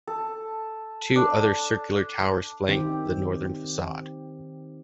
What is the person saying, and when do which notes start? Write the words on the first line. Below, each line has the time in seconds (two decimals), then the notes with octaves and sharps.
Two other circular towers flank the northern façade.
0.07 A4
1.16 D4
2.68 D#3 C4 G4